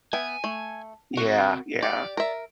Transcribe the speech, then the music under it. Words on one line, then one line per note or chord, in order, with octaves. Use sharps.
Yeah, yeah.
B3 E5 G5 G#5
A3
C4 F#4 A#4
G4 D5
A#4 E5